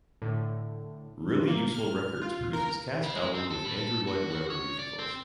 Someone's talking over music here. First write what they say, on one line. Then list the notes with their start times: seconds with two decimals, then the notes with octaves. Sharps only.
Really Useful Records produces cast albums of Andrew Lloyd Webber musicals.
0.22 A2 D3
1.48 A#3
1.74 F6
2.21 F4
2.53 A#4
3.03 C#3
3.15 G#3
3.34 C4
3.50 A4
3.65 A2
3.76 A4
4.07 F#4
4.31 F#4
4.50 C#5
4.79 D5
4.99 C4